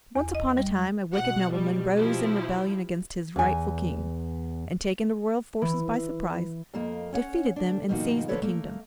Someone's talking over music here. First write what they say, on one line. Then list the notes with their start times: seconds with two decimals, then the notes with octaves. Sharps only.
Once upon a time a wicked nobleman rose in rebellion against his rightful king, and taking the royal forces by surprise, defeated them and seized the kingdom.
0.16 E2
0.35 D#5
0.57 G3
1.13 B2 F#5
1.52 G3
1.97 F3 E4 G4
3.36 E2 G#5
5.62 E3
6.74 F2 A#3 D#5
7.13 C#4 C#5 F5 F#5
7.56 D2 D4
7.88 G2 B2 D#3 F3 A#3 F#4
8.28 D3 F3 A4 B4 C#5 D5
8.42 A3 A#3